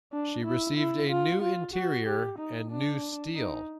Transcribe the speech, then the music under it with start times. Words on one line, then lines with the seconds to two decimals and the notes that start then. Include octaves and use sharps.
She received a new interior, and new steel.
0.12 D4
0.45 E4
0.77 E4
1.10 F4
1.42 F4
1.74 F#4
2.06 G4
2.38 D#4
2.71 D4
3.35 D#4